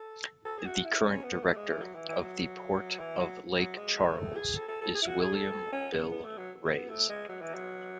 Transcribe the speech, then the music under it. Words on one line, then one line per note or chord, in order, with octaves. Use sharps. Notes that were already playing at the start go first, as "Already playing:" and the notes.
The current director of the Port of Lake Charles is William "Bill" Rase.
Already playing: A4
A4
G#4
F#4
E4
C#4
B3
A3
G#3
E3
F#3
E3
E3
F#3
E3
F#3
F#3
G#3
A3
G#4
A4
A4
A4
G#4
E4
F#4
G#4
A4
C#4
B3
B3
A3
F#3
A3
B3
A3
G#3
F#3
E3
F#3